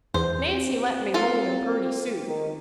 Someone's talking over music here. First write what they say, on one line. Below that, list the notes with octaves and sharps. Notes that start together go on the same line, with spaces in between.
Nancy let me hold him purty soon.
E2 C5
C4
F4 A4
D#3